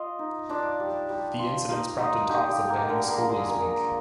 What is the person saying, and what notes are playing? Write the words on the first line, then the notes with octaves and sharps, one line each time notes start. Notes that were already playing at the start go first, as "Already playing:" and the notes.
The incidents prompted talks of banning Schoolies week.
Already playing: F4 D#5 F5
D#4
D4 F4 D5
G3
G3
F4
D#4 F4 F5
G#3 D#4 D#5
D3 G4
G4
D3
A#3 A#4
D3 A#3 A#4
A#3 G#4 A#4
D3
G#3 G#4
A#3 D4 A#4
D3